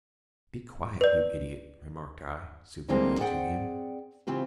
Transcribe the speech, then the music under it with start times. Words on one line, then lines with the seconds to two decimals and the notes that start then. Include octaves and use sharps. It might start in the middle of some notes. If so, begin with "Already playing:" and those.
"Be quiet, yoo idiot!" remarked I, soothingly, to him.
1.01 B4 D5
2.89 D3 E3 G3 G#3 A#3 C4
3.19 C4 G#4 D5 F#5 G5
4.27 C#3 E3 C4 F4 G4